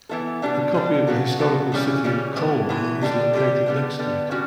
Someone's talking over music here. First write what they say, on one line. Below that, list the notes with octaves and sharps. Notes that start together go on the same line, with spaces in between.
A copy of the historical city of Colmar is located next to it.
E3 B3 E4 A4
B2 G3 D4
B2 G3 D4
C#3 F#3 B3 F#4 A4
C#3 F#3 B3 F#4 A4
C#3 E3 G3 C#4
C#3 E3 G3 C#4
A2 E3 B3
A2 E3 B3
D3 G3 D4 G4
D3 G3 D4 G4
D3 G3 B3
D3 G3 B3
D3 G3 C#4 F#4